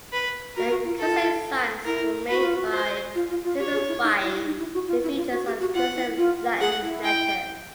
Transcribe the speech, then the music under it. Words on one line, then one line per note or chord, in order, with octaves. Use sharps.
The consonant signs were made by simplifying the features of cursive Latin letters.
B4
F#4 A#4
F#4
F4
F4 A4
E4 A#4
F#4 B4
F4
F#4
C5
F4
F4
F4
G4 C#5
G#4
E4
D#4
E4
D#4
E4
F#4
F4
E4
F4
F#4
G4
F#4
F4 F#5
E4
F4
G#4 F#5
E4
G5